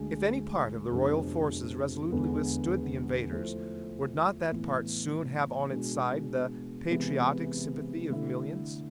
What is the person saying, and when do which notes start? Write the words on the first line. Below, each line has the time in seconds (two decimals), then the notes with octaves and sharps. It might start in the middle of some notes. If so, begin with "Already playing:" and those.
If any part of the royal forces resolutely withstood the invaders, would not that part soon have on its side the patriotic sympathy of millions?
Already playing: D2 D3 G#3 D4
0.91 F2 C3 G#3 B3 D4
2.11 E2 D3 G#3 B3 E4
3.31 F3 A3 E4 A4 C5
4.51 A2 E3 B3 E4
5.70 B2 G#3 D4
6.91 C3 E3 G#3 B3
8.10 D3 A3 E4